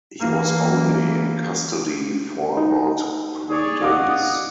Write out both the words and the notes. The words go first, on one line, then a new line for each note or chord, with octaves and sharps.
He was only in custody for about three days.
E3 A#3
D#4
G#4 C#5 D5
D#5 F5 F#5 D6 D#6